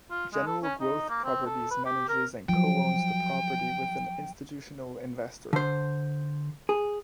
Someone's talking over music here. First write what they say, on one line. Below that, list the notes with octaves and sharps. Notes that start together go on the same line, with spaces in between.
General Growth Properties manages and co-owns the property with an institutional investor.
F4
G#3
A4
C#4
D#4
A#3
C4
A4
B4
G4
A#4
F3 F#3 G5
D3 C5
G#4